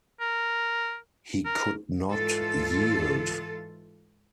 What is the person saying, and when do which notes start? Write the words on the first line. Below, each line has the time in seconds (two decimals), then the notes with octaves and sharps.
He could not yield.
0.20 A#4
1.45 A#4
2.10 G#2 E3 F4 A4